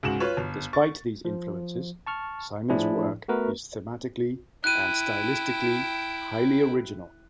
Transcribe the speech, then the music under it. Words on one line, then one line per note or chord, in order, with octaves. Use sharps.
Despite these influences, Simon's work is thematically and stylistically highly original.
C#2 G#2 F#4 E7 F#7
F4 B4 C#5
G1
C#6 A6
F3
A5 C#6 F6
A2 F3 D4 E4 G#4
A3 B3 F#4 A#4 B4
E4 G5 F#6 D#7